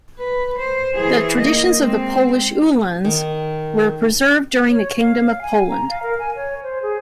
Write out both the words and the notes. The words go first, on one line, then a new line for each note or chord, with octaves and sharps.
The traditions of the Polish uhlans were preserved during the Kingdom of Poland.
B4
C5
E3 G#4
A#3 D#5
G#3 C4
D#3
C#5
F5
G#5
A#5
F5
A#4
G#5
C#5
C5
G#4